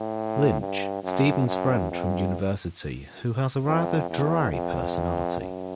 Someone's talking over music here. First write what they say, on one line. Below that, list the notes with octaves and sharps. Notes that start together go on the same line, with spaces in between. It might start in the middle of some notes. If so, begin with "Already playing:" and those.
Lynch - Stephen's friend from university who has a rather dry personality.
Already playing: A2
G2
F#2
F#2
F2
F2
E2
F2
F#2